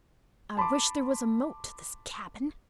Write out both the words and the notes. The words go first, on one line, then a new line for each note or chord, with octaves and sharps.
I wish there was a moat to this cabin.
A5 B5 C6 D6